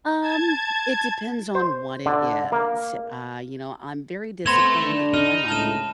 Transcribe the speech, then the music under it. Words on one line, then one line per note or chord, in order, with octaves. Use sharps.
Um, it depends on what it is, uh, you know, I'm very disciplined in my money,
A5 G#6
C5
D3
A#3
A3 B3 C4 B5 C6 G#6 A#6 F7
D3 D4
D#4 F6
C#2 A2 G#3 A5 F6 E7